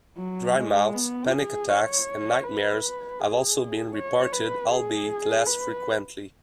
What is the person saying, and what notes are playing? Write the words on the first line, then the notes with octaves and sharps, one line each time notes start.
Dry mouth, panic attacks, and nightmares have also been reported, albeit less frequently.
F#3
G#3
B3
G#4
C#5
B4
G#4
C#5
B4
G#4
B4